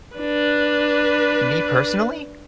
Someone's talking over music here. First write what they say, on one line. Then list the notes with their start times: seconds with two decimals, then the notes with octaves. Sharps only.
me, personally?
0.16 D4 B4